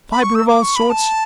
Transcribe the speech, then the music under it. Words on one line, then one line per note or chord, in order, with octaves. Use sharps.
Fibre of all sorts.
B5
C#6
E6
D6
C#6
B5
A5